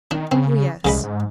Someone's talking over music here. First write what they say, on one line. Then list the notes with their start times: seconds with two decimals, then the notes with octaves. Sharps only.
"Oh yes."
0.11 D#3 D4
0.32 C#3 C4
0.85 C2 C#3 G#3 B5
1.04 G#2